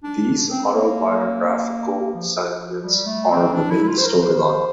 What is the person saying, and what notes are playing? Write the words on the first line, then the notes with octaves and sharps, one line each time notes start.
These auto-biographical segments are the main storyline.
D4
C4
C4
A#3
F3
G3
A3
C4
D4
E4
E4
F4
C5
A#4
C5